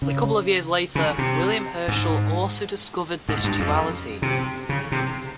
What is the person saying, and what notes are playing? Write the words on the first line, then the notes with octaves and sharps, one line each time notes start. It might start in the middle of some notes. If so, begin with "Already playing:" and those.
A couple of years later, William Herschel also discovered this duality.
C#3
C#3
C3
G#2
G#2
G2
F2
C3
C#3
C3